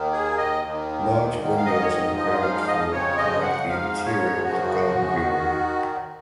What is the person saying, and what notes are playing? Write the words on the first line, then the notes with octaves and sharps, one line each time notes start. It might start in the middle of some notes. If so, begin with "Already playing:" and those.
Large windows on the ground floor connect the interior with the garden greenery.
Already playing: D#2 D#3
G#4
D#5
D#2 D#3
G#2 D#3
F5
D#5
C#5
D#5
G#2 F3 D#5
F5
F5
D#5
F2 C#3 F3 C#5
D#5
F#5
G#2 F3 F5
C#5
F#2 C#3 F3 F#4
D#3